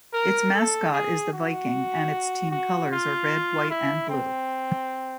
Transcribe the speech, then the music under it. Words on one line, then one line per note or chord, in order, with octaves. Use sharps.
Its mascot is the Viking, and its team colors are red, white and blue.
A#4
A4
G#4
F#4
F#4
F4
E4
C4